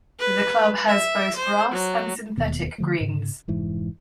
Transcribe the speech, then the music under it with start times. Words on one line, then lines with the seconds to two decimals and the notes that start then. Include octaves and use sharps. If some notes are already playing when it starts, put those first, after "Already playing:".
The club has both grass and synthetic greens.
0.19 B4
0.87 E5
1.36 C5
1.72 F#3
2.38 E1 D#2 B2
2.78 D3 F3 A3
3.01 G#2 C#3
3.48 F1 G#2 E3